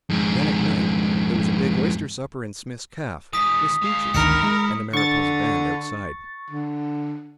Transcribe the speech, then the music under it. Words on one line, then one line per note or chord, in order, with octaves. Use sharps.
Then at night there was a big oyster supper in Smith's caff, with speeches, and the Mariposa band outside.
F2 G#2
E3 G#3 D#6 B6
G#3 F5
G#1 D2 D#3 E4 A#4 C#7
G#3 E4
D3 C#6 A6
D3